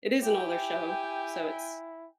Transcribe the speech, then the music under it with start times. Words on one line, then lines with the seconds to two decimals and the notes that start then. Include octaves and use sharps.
It is an older show, so it's
0.23 E4 G4 G5 G#5